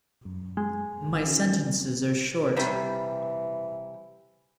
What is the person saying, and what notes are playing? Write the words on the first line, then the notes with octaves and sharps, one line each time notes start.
My sentences are short.
F#2
G#3
A1 F#5
D#3 C#4 F#4
C3 E3 G3